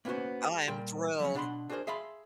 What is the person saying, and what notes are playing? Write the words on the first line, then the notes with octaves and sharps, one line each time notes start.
I am thrilled.
A#3 B3 C#4 F4 F#4 C5
A#2 G3 A#4 G5 C6
F3 F#3 C#4
B2 D4 F#5 B5 C6
D4 F#4 G#4 A#4 C5
G#4 E5 F5 A5 B5 C6